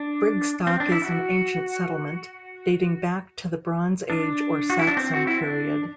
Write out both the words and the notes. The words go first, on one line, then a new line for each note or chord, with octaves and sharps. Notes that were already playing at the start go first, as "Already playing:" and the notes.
Brigstock is an ancient settlement, dating back to the Bronze Age or Saxon period.
Already playing: D4
C4
D4
E4
F#4
D4
F#4
E4
D4
C4
F#4
E4
D4